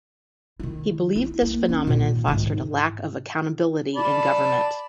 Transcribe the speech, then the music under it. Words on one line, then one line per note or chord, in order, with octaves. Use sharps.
He believed this phenomenon fostered a lack of accountability in government.
D#3 E4
E4
A#3
C#4
A#2 D#3
G#2 D#3
D5 A5 B5